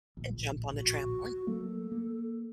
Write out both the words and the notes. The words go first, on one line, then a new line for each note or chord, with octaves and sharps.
and jump on the trampoline,
D1 A#1
F#4
F#3 A3 A#3 A4
A#3